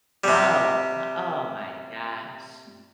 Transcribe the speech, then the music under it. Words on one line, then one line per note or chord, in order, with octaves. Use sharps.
Oh, h oh my gosh!
C3 G3